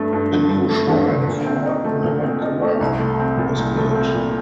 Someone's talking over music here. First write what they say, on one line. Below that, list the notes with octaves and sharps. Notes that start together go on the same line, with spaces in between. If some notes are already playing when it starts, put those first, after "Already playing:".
A new shrine for Navagraha was built.
Already playing: G2 A3
G2
D3
G2
A3
G2
D3
A#2
C4
D#4
A3
A#2
C4
D#4
A3
C2
A3
C4
A#2
C2
A3
C4
A#2